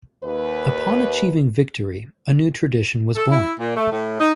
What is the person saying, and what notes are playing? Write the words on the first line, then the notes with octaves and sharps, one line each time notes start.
Upon achieving victory, a new tradition was born.
D#2 B4
A4
E4
A#2
A3
A2
D#4